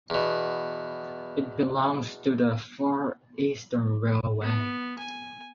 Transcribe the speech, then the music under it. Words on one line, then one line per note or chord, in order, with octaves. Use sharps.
It belongs to the Far Eastern Railway.
E2 B2
B3
G#5